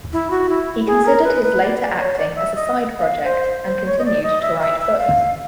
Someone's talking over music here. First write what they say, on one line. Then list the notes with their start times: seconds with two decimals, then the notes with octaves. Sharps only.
He considered his later acting as a side project and continued to write books.
0.13 E4
0.30 F#4
0.49 E4
0.86 G#4
1.06 A#4
1.24 B4
1.43 B4
1.62 D5
1.80 D5
2.00 C#5
2.14 C#5
2.17 D5
2.36 E5
2.55 D#5
2.98 F5
3.24 C5
3.67 C5
3.86 C#5
3.99 D#5
4.05 D5
4.23 D#5
4.42 E5
4.61 E5
4.80 E5
4.98 F5